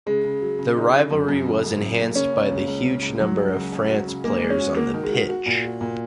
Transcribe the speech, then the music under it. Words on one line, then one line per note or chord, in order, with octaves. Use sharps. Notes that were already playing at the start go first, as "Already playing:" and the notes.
The rivalry was enhanced by the huge number of France players on the pitch.
C#3 G#3
C#3
F#3
C#3
D#4
C#3
F#2
F#2
C#3
F#2
F#2
A#3
C#3 C#4
C#3
C#2
C#2
C#3
C#2
F#3 F#4
G#3
C#3
C#4
F#4
C#3
G#3 A#3
G#3
C#4
F#4
A#3 F#4
D#3
G#3
F#4
F#4
A#2
F#4
A#2